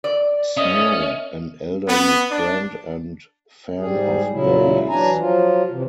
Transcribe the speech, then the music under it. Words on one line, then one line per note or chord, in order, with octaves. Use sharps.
Snow, an elderly friend and fan of Barrie's.
D5
C#4 A#4 D#5 E5 D#6
B3
D4
G#2 G3 G#4
A#2 C#3 F#3 E4
E3 F#3 D4 G#5 A#5
F3 F#3 F4
C3 E3